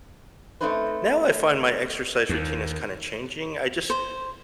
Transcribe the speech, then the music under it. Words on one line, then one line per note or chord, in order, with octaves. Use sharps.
now I find my exercise routine is kinda changing, I just
A3 C4 C#4 D#4 B4 C5
D#2
C5